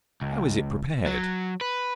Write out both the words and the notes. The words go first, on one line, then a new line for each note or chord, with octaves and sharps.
How is it prepared?
C#2
F#3
B4